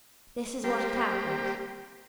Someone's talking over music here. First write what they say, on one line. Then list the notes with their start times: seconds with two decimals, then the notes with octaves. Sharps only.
This is what had happened.
0.64 G3 A#3 C4 G4